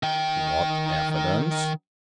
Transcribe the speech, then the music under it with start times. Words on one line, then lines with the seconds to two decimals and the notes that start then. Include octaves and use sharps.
"What evidence?"
0.03 D#3 G5